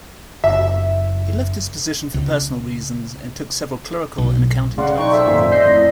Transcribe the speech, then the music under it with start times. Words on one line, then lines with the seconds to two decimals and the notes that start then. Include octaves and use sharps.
He left his position for personal reasons and took several clerical and accounting jobs.
0.44 F#1 E5
2.14 C#2
4.18 B1
4.78 C#3 D5 F5 F#5 C6
4.98 B1 D#4 G5 C#6
5.11 A4 C5 D5 E5
5.27 G#1 F#2 A#2 A#3 C5 G#5
5.52 D#5 E5 G6 C7
5.66 F2 A2